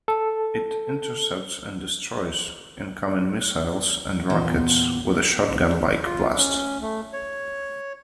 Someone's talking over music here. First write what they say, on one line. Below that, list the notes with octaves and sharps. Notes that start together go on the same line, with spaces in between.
It intercepts and destroys incoming missiles and rockets with a shotgun-like blast.
A4
E2 A#2 B3 C5 G5
F4
C#4
A3
C#5